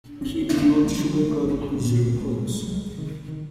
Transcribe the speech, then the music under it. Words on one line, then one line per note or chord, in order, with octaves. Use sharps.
He did not sugar-coat his reports.
G1 C4 D4
B3 C#4
F2 C#3
A#3 C4
C#2 G#3 A#3
F3 G3
C#3 F#3 G#3
G3 A3
G#1 C4 D4
G2 D3 B3 C#4
C#2 A#3 C4
A3 B3
C3 G#3 A#3
G3 A3
C#2 F#3 G#3
C3 D#3
D#3